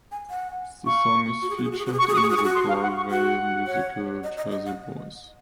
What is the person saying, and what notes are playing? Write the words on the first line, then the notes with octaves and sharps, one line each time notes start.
The song is featured in the Broadway musical "Jersey Boys".
G#5
F#5
F5 C#6
F#4
G#4
F#4
G#4
F#4
G#4
F#4
G#4
F#4 C#6
G#4
F#4 D#6
C#6
G#4
F#4 D#6
G#4 C#6
F#4
C6
F5
F#5
C#6
F#4 F#5
C#5
D#5
D#5
D#5
F#5